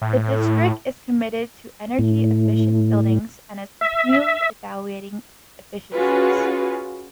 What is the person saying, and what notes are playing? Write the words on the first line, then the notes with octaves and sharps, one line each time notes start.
The District is committed to energy efficient buildings and is continually evaluating efficiencies.
A2
A2
E5
C#4 F4 F#4 G#4 B4